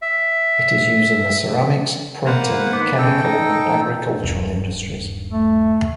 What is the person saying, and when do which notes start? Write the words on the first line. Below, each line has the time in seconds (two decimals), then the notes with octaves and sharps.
It is used in the ceramics, printing, chemical and agriculture industries.
0.02 E5
2.27 A#3 B4 C5 F#5
2.72 D#3 B3 D6
2.98 C#3 A4 G5
3.25 D#4
4.24 D#1 G2
5.32 A3